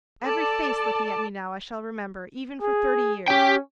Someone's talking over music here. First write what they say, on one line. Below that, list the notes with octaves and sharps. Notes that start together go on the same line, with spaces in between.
Every face looking at me now I shall remember even for thirty years.
A4 D5 A5
G#4
C#4 G4 G5